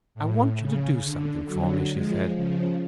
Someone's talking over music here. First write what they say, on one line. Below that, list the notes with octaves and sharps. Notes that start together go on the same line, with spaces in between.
"I want you to do something for me," she said.
A2
C#3
D3
D3 F#3
F3 G#3
C#3 F3